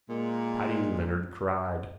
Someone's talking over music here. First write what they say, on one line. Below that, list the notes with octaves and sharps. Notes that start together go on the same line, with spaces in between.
Paddy Leonard cried.
A#2 G#3